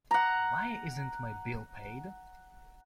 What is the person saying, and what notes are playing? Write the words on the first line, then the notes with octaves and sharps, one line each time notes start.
Why isn't my bill paid?
F#5 A#5